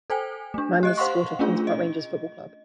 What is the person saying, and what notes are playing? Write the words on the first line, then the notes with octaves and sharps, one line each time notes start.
Nyman is a supporter of Queen's Park Rangers Football Club.
A4 C5 G5 G#5
A3 D4
G4 D#5 F#6
C5 F5 F#5 C6 C#6
A3 C#4 D4 F4 G#4
D#5